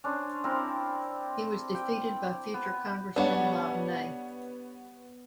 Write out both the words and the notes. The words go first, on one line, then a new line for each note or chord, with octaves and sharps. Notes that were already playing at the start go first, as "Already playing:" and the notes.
He was defeated by future Congressman Bob Ney.
C#4 D4 C5
C4 E4 A#4
G5
B3
G3 B3 D4 C#5 F#5